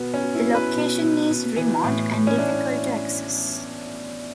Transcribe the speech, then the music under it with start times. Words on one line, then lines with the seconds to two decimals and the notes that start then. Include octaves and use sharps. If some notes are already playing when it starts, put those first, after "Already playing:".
The location is remote and difficult to access.
Already playing: B2 B3
0.14 C#4
0.20 F#3
0.35 E4
0.47 F#3
0.54 B4
0.75 B2
1.02 B2
1.30 B2
1.57 E3
1.84 A2
2.11 A2
2.27 C#4
2.38 A2 D4